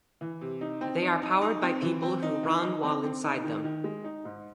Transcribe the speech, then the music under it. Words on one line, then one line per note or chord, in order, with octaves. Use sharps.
They are powered by people who run while inside them.
E3
C3
D#4
C4
D#4
D#4
D#4
C4
E3
C4
D#4
E3
D#4
C4
C4
D#4
D#3
D#3
G#3
D#4
G#2